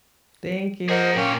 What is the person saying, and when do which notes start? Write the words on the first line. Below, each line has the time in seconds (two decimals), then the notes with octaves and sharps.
Thank you.
0.89 G#4 A#4 C5 D#5 F#5
1.16 A#2 A#3 C#4 C#5 G5